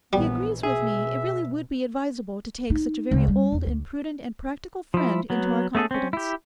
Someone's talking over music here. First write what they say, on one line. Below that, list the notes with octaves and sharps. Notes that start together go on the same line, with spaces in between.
He agrees with me it really would be advisable to take such a very old and prudent and practical friend into our confidence.
A#1 E3 G3 B3
B2 G#4 E5
D#4
C#2
G3
E2
D2
F3 E4
F#3 B3
A3 C#4 G#4 A4
C4 C#4
E4 G4